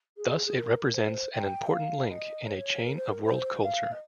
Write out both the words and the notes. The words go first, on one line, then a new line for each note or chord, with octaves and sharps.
Thus, it represents an important link in a chain of world culture.
G#4
G#4
A#4
A#4
C5
G5
D#5
F5
D#5
C#5
A#4
C5
A#4
C5
F5
D#5